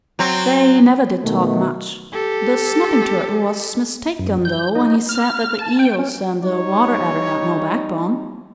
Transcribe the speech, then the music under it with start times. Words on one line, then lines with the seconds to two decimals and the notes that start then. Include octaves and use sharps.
They never did talk much. The Snapping Turtle was mistaken though, when he said that the Eels and the Water-Adder had no backbone.
0.19 F#3 C4
1.23 B2 D#3 A3
2.12 G4 A4
4.19 F#2
4.45 G6
4.76 D#4
5.09 F6
5.59 A5
5.79 G5
5.99 C#4
6.44 G3 D#4 C#5